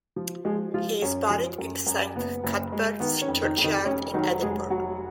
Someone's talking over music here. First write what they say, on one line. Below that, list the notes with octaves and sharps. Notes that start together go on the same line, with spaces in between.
He is buried in Saint Cuthberts churchyard in Edinburgh.
F3
F3 G#3 G#4
F3 G#3 F4
F#2 C#4
F3
F#2
F#2
F#1 B3
F#1
G#3
D#3 B3
C#4
F2
D#3 D#4
F2
D#3 D#4
F1 C#4
D#3 F#3 D#4
F1 G#3 G#4
F#3 F#4